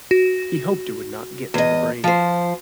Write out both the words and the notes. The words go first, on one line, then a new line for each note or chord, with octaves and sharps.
He hoped it would not get to the brain.
F#4
E2 D#5
F3 C5